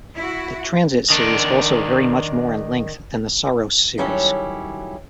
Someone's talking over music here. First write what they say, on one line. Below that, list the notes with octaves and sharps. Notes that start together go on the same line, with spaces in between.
The transit series also vary much more in length than the saros series.
E4 F#4
D#3 D4
D#3 F#3 G3 C#4 E4 A4